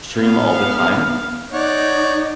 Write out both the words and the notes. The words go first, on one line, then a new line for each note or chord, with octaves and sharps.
stream all the time,
B3 F5
D#4 C#5 D5 F#5